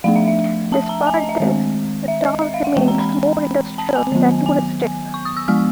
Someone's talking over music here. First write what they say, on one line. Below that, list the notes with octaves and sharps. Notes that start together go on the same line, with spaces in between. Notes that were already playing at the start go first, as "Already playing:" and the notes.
Despite this, the town remains more industrial than touristic.
F3 A3 D4 F5
E5
E5
A5
A#5
G#5
D#5
E5
D#3 G#3 C4
E5
D#5
E5
F5
F#5
E3 G#3 C4 G5
A#5
B5
A5
G#5
D#3 F#3 B3
G#5
C#6
D#6
E6
F3 G#3 B3 F6